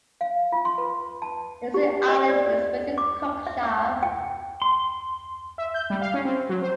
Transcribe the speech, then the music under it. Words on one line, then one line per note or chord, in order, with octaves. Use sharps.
Lizard Island is within Cook Shire.
F5
F4
C6
B4
A5
G4
D#5
D5
D5
D6
E5
E6
G5
C6
E5
G6
G3
F5
C#4
C4
F#3
C5